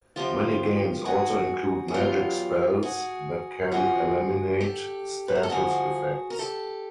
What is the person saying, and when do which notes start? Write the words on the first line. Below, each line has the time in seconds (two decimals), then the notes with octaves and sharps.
Many games also include magic spells that can eliminate status effects.
0.16 F#2 D3 F3 F4 G4
1.05 F#4 G#4
1.88 G#4
1.94 E2 B2 F#3 F4 G4
2.83 F#4 G#4
3.72 F2 D3 F3 F#4 G#4
4.61 G4 A4
5.28 B4
5.35 A#4
5.43 A4
5.49 G2 D3 F3 F#4 G#4
6.30 A#4
6.39 G4 A4